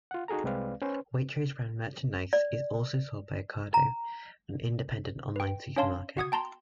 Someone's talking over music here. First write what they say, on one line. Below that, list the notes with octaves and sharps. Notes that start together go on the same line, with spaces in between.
Waitrose brand merchandise is also sold by Ocado, an independent online supermarket.
F4 F#5
D#4 F#4 G#4 A4 A#5
C2 G#3 C4 B4 D5 F5
C#4 B4 C5
D5
A#5
B4 G5
C#4 D4 C#5 F5 A5 C6
F#4 F#5 D#6 G#6
G5 A5 A#5 C6